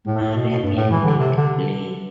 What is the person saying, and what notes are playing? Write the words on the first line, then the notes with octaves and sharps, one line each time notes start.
Marie in league play.
A2
A2
B2
B2
G2
A2
E3
D3
C3
D3